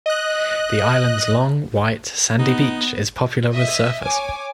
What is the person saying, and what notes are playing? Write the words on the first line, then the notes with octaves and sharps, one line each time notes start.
The island's long, white sandy beach is popular with surfers.
D#5 F#6
B3 D#4
D#5 E5
C#5 G#5 D6